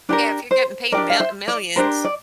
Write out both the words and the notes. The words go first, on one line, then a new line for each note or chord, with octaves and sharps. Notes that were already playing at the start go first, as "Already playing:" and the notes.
Yeah, if you're getting paid m millions,
D4 G4 A#4 D5
C5
D4 G4 A#4 D5
F5
C5 E5
D5
D4 G4 A#4 C5
D5